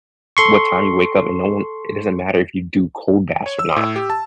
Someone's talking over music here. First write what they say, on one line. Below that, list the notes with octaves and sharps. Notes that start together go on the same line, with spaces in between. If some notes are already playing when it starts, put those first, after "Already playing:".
what time you wake up, and no one it doesn't matter if you do cold baths or not.
A4 C6 C#6
C#5
E6
A2
G4
A5